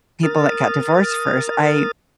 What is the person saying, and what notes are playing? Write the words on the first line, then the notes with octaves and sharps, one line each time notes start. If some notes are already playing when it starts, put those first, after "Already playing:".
people that got divorced first. I
A#4 D#6 F6 A6